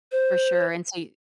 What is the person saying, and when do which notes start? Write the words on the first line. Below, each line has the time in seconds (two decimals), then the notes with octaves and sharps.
For sure. And so y
0.12 C5